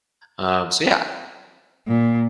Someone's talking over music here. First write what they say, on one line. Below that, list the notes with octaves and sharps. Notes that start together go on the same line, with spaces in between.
Um, so yeah.
A#2